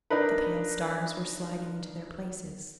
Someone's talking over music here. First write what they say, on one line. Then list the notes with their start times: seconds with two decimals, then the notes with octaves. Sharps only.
The pale stars were sliding into their places.
0.10 D4 D#4 A#4 B4